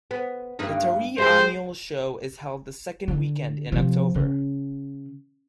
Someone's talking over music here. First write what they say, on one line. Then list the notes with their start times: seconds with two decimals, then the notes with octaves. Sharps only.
The Taree Annual Show is held the second weekend in October.
0.11 B3
0.59 G2 A#3 D#4
1.18 G#3 G4 A#4 C5
3.08 D3
3.72 C3 F3
4.15 C#3